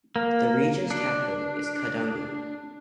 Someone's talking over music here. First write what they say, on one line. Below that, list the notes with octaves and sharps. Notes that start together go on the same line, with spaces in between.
The region's capital is Koudougou.
A#3
D4